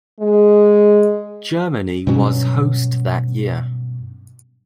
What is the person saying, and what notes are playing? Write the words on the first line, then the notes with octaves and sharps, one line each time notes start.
Germany was host that year.
G#3
G2 B2 F#3 C#4